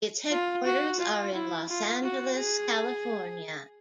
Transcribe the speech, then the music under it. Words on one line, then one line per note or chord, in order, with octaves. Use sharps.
Its headquarters are in Los Angeles, California.
F4
F#4
F4
E4
F4
F#4
G#4